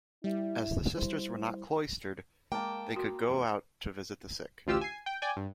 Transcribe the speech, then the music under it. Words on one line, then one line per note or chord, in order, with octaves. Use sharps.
As the sisters were not cloistered, they could go out to visit the sick.
G3 E4
G3 E4 C5
G#3 A#3 G5 A5
F#4 C6
F1 E2
A1 D2 F4 G4 E6
G#5 C7
G5
D5 G5 G#5
G2